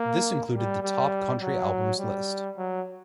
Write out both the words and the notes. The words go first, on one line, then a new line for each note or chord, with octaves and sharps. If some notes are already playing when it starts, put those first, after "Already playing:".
This included the Top Country Albums list.
Already playing: A#3
G3
G3
F#3
G3
F#3